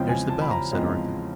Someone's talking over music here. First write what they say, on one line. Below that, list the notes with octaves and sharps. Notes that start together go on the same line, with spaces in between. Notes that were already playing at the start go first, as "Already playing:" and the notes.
'There's the bell,' said Arthur.
Already playing: E2 C#3 F3 G#3 C4 G5
G#5
A5
B5
A#5
E2 C#3 F3 G#3 C4